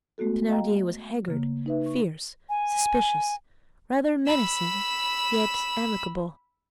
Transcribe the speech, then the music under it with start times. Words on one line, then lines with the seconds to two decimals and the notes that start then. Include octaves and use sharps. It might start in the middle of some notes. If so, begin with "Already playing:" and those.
Thenardier was haggard, fierce, suspicious, rather menacing, yet amicable.
0.18 G#3 A3 B3 F#4 A4
0.49 D#5 F5 G5 A#5
1.28 C#3 A#3
1.66 D#4 B4 E5
1.86 C#6
2.49 G#5
4.27 B5 E6